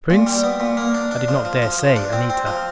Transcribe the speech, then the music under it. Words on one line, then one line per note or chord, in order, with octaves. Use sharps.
"Prince?" I did not dare say "Anita."
A#2
G3
B3
A#2
A#3
D4
D4
F3
F3
F3
F3
D4
C4
C4
F3